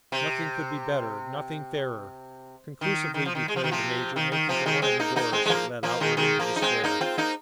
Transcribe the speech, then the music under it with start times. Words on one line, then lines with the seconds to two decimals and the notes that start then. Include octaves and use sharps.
"Nothing could be better--nothing fairer," conclusively declared the major, making for one of the doors, that led outward into the square.
0.12 C3
2.81 D#3
3.14 D#3
3.25 F3
3.35 D#3
3.48 G#3
3.56 F3
3.64 D#3
3.71 C3 F3
4.16 D#3
4.32 D#3
4.49 C3 F3
4.66 D#3 G#3
4.82 G#3 C4
4.99 A#3 D#4
5.16 A#3 D#4
5.32 G#3 C4
5.46 G#3
5.49 F3 A#3
5.83 F3 A#3
6.00 D#3 G#3
6.17 D#3 G#3
6.39 F3 A#3
6.56 D#4
6.62 G#3 C4
6.84 A#3 D#4
7.01 C4 F4
7.17 A#3 D#4